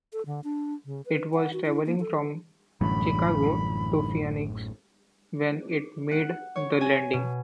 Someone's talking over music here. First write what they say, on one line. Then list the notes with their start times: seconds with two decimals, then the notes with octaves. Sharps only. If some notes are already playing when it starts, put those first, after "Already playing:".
It was traveling from Chicago to Phoenix when it made the landing.
0.13 A4
0.26 D3
0.44 D4
0.86 C#3
1.06 B4
1.34 F#5
1.53 F#4
1.66 E4
1.86 A#3
2.00 A4
2.81 A1 F#2 A2 D3 E3 G3 B5
6.11 F#5
6.56 C#5
6.81 G#5
7.13 B2